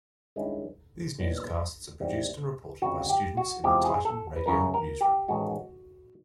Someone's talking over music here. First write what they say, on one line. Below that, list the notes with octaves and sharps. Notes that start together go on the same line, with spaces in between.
These newscasts are produced and reported by students in the Titan Radio newsroom.
G2 D#3 G#3 C#4 E4
B1 A#2 G3 B3
E2 C3 D#3 G3
G1 F2 C#3 F#4
G4
F#4
E2 C3 F3 G#3 G4
G#4
A4
B4
G1 F#2 C#3 F#3 A#4
A#4
G4
A1 G#2 D#3 G#3 F#4